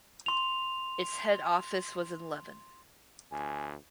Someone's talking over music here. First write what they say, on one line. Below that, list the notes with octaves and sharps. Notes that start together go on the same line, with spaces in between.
Its head office was in Leven.
C6 F7
D2 G#5